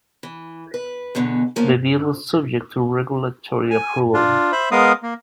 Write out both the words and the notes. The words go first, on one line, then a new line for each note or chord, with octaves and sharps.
The deal is subject to regulatory approval.
E3
B4
E2 B2 D3 E3
C#3 F3 A#3 B3
G#5
D4 F4
C5 E5 B5
G#3 B3 A#4 F5 D#6
A#3